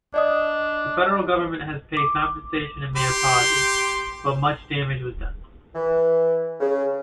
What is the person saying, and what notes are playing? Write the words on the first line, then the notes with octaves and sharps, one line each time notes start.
The federal government has paid compensation and made apologies, but much damage was done.
D4 D5 D#5 D#6
D6
G4 C6
E3
C#3